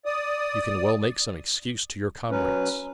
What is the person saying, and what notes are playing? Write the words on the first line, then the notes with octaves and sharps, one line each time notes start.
You can well make some excuse to your comrades.
D5 D#6
F#3 C#4 B4